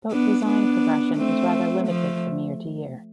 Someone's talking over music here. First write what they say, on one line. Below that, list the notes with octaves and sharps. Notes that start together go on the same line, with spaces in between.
Boat design progression is rather limited year to year.
B3 D4
B3 D4
A3 C4
F3 A3